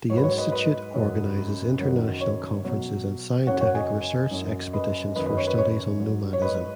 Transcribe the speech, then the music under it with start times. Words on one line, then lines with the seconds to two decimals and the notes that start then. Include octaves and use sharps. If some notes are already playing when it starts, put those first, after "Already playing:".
The institute organizes international conferences and scientific research expeditions for studies on nomadism.
0.10 G#2 F#3 C#5
0.17 B4
0.24 C#5
0.38 B4 D#5
0.52 B4 D#5
0.94 F#2 C#3 F#3
1.78 F#2 D#3 F#3
2.21 C#5
2.63 B2 F#3
3.47 F#2 C#3 F#3 C#5 F#5
3.61 C#5 F#5
3.75 D#5 G#5
4.31 F#2 F#3
4.73 B4 D#5
5.16 F#2 D#3 F#3 B4 D#5
5.26 B4 D#5
5.37 C#5
5.47 B4
5.58 C#5
5.99 G#2 F#3
6.33 C#5
6.42 B4 D#5